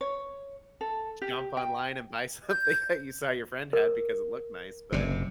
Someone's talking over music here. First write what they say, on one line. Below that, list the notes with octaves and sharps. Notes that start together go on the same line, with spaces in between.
jump online and buy something that you saw your friend had because it looked nice, but,
C#5
A4
G4
G5
G6
A#4
F#1 C3